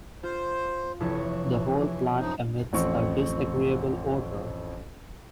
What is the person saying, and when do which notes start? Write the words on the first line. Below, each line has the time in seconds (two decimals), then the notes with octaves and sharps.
The whole plant emits a disagreeable odour.
0.23 F4 C5
1.00 F1 E3 E4 C#5
2.20 F#2 F3 D#4
2.73 A1 F2 C4 C#6